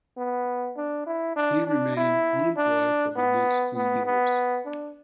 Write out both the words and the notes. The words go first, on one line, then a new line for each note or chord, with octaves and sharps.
He remained unemployed for the next two years.
B3
D4
E4
D4
D4
E4
D4
B3
B3
B3
D4